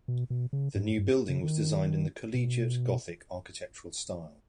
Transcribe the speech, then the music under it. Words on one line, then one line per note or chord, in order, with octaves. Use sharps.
The new building was designed in the Collegiate Gothic architectural style.
B2
B2
C#3
G#2
G2
C#3
D#3
B2